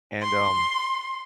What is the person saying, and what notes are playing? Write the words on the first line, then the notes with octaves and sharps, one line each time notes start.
and, um
C6